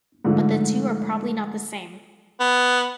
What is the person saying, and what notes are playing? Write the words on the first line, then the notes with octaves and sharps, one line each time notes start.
But the two are probably not the same.
G#2 D3 F3 A3
B3